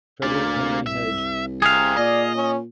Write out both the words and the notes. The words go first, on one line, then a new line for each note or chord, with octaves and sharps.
Frederic Henry Hedge.
D2 A#3 D5
C2 E5
C3 G#4 F5
A#2 D5 D#5
C#4